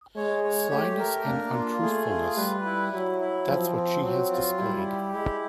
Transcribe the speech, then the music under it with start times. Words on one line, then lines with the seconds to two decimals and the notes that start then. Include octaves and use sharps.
Slyness and untruthfulness — that’s what she has displayed.
0.16 G#3 C#5
0.44 C#5
0.71 A3 G4
0.99 A#4
1.26 A#3 D4
1.54 F4
1.82 A3 G#4
2.10 F4
2.37 G3 B4
2.65 E4
2.93 F#3 E4
3.20 E4
3.47 F3 C4
3.76 C4
4.03 F#3 C4
4.31 F4
4.59 G3 E4
4.86 G4
5.14 G#3 E4